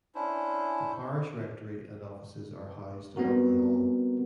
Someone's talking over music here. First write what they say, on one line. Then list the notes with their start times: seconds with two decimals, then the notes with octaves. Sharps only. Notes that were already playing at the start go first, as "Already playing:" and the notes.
The parish rectory and offices are housed above the hall.
0.15 C#4 D4 E4 C5
3.16 G3 B3 C4 F#4 A#4